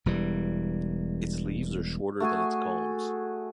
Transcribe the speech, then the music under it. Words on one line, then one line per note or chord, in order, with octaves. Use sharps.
Its leaves are shorter than its culms.
E1 E3 G3
A3 F#4 G#4 G#5